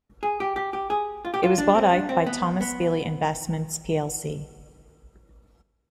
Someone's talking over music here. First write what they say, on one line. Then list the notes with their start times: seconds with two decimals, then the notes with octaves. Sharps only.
It was bought out by Thomas Bailey Investments plc.
0.23 G#4
0.40 G4
0.56 G4
0.73 G4
0.90 G#4
1.25 F4
1.34 G4
1.43 F4
1.58 D4
1.75 C4
1.93 D4
2.09 C4
2.26 B3
2.61 B3